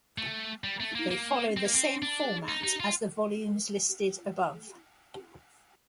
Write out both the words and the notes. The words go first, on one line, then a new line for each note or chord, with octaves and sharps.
They follow the same format as the volumes listed above.
A3
G3
A3
A#3
A#3
C4
A#3
C4
D4
D#4
D#4
F4